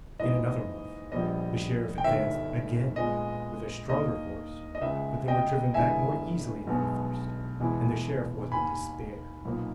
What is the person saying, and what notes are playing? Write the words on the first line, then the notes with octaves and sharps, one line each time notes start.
In another month the Sheriff advanced again with a stronger force, but they were driven back more easily than the first, and the Sheriff was in despair.
G#2 E3 A#3 E4 D#5
A#1 A#2 G3 B3 D#5
G5
G1 G2 D#3 E5
A#2 G#3 B3 D#5
D#2 D#3 A#3 D#5
D#5
C#2 C#3 G#3 E5
D#5 G5
G1 G2 E3 G#3 E5 G#5
B1 B2 G#3 B3
E2 B2 G#3 B3 E4
D#2 D#3 A#3 G#5 B5
B1 A#2 A#3 D#4